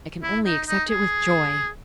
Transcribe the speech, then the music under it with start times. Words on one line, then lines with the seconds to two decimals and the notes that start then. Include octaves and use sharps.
I can only accept it with joy.'
0.22 E4
0.45 D#4
0.68 D#4
0.89 G#4